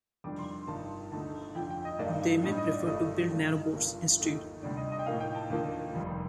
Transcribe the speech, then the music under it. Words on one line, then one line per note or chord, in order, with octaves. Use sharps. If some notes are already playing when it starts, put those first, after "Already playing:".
They may prefer to build nanobots instead.
F2 D#3 G3 D4 D6
C6
G1 G2 D#3 A5
D2 D3 A3 D#4 A5
F2 D3 F3 G5
G5
D#5
G2 D#3 A#3 D#4 D5
A2 G3 D4 D#5
D#5
D5
G1 G2 D#3 A3 D#5
G2 D#3 A3 D5
D#5
G1 G2 F3 A#3
D#2 D#3 A3 D#4
D2 C3 G3 D4 D5
D#5
D#5
G5
A2 F3 A#3 D#4 F5
G5
A5
D#2 D3 F3 A#3 D#4
F1 F2 D#3 G3